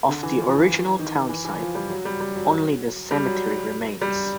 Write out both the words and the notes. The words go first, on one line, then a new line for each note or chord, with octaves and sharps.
Of the original townsite, only the cemetery remains.
D3
E3
F3
E3
D#3
E3
E3
F3
G3
F#3
G3
G3
F#3
G3
F#3
G3